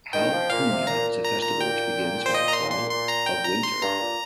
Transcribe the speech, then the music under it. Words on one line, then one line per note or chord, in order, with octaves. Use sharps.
Hal punhya is a festival which begins with the fall of winter.
D#3 G5
F3
A#2 F5
C3
A#2 A#5
A#5
A#5
G5
C5
D#5
A#5
C6
C6
C6
A#5
G5
A#5
C6
G2 A#5
A#2